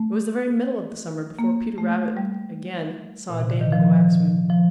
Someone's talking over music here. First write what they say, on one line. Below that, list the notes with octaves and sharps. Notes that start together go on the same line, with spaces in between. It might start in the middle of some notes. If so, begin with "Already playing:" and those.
It was the very middle of the summer before Peter Rabbit again saw Dandy the Waxwing.
Already playing: A3
A#3
A3
G3
A#2
C3
D3
D#3
F3
F3